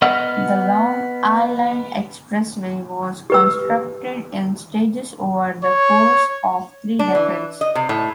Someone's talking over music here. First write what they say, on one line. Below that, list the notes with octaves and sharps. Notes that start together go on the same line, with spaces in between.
The Long Island Expressway was constructed in stages over the course of three decades.
B3 D#5 F#5 F6
G4 B4 E6
C#5
D4
E3
D#5
C3
A2